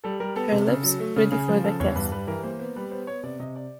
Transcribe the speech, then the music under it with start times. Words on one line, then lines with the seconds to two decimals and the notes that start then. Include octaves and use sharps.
Her lips ready for the kiss!
0.04 G3 A4
0.20 G3 A#4
0.36 B3 A4
0.52 C3
0.68 C#3
0.83 F#3
1.00 A3
1.16 C#3
1.32 C#3 G#4
1.48 F3
1.64 C#3 A4
1.80 E2 C#5
1.96 G2 B4
2.12 G3 B4
2.27 E3 A#4
2.43 A#3 C5
2.59 B3 C5
2.76 G3 B4
2.91 B3 C5
3.07 B3 C#5
3.23 C3 D5
3.39 C3 D#5
3.56 D5